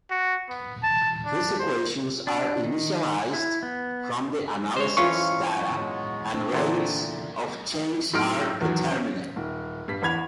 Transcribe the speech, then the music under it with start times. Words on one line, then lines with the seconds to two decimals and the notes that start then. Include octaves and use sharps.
These equations are initialized from the analysis data and rates of change are determined.
0.10 F#4
0.49 B3
0.83 A5
1.26 D4
1.59 C5
2.27 D4
2.64 D#3
3.33 E4
3.63 B3
4.76 G#3 C5 C#5
4.97 F2 E3 C#4 F4 F5 C#6
5.77 F#3 G#3 B3
6.34 C4 D4
6.52 E2 A#2 D3
8.13 A2 F#3 D#4 C6 F6 D7
8.61 E2 D#3 E3 F#3
8.91 C#4
9.36 D#1
9.88 G2 G3 B6
10.02 A1 E2 B5 G#6 F7